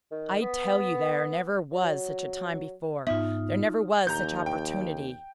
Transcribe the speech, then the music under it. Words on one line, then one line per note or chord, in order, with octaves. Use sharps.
I tell you there never was such a time before; there never was such opportunity.
D#3
B3
F#3
G#2 B3 D#4 F4 E5
D#2 A#5 G6
G5